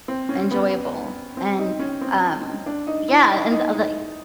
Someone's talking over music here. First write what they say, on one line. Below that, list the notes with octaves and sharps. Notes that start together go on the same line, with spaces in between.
enjoyable, and, um yeah, and l like,
C4
C#4
B3
C4
D#4
C#4
C4
D4
D#4
E4
D#4
D#4
D#4